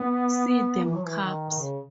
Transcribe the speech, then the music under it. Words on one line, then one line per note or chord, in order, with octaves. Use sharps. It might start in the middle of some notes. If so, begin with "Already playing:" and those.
See them cups?
Already playing: B3
E3
F#3
E3
D#3
D#3
C#3